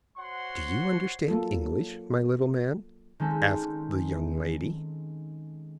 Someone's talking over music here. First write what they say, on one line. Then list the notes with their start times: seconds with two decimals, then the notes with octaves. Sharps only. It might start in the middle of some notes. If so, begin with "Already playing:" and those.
"Do you understand English, my little man?" asked the young lady.
0.18 F#4 C5 C#5 F#5 C6
1.28 F#3 A#3 F4 A4
3.20 D#3 G#3 C4 C#4 A4